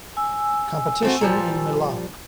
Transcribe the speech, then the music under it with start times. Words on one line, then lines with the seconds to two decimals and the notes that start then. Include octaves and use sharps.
Competition in Milan.
0.17 G#5 E6
1.03 A3 C4 F#4
1.21 A#2 F3 G3